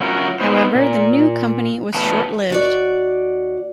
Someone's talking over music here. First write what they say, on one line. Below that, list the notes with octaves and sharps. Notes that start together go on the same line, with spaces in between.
However the new company was short-lived.
F#3 C#4 E4 F4 A#4
B3 D#4 C5
A#2
E2 A#2 A3 B4 A5
D#2 F#4 D5